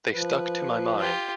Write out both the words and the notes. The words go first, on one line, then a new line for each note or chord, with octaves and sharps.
They stuck to my mind.
F3 B4
F4 G4